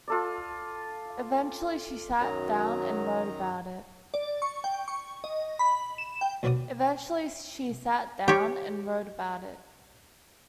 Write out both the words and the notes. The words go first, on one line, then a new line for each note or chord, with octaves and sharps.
Eventually, she sat down and wrote about it.
F4 A4 D5
F#2 D#3 F#3 A#5
D5
C#6
G5
C#6
D#5
B5
E7
G5
D#2 F#3 B4 D5 F#5 D#6
G4 C#5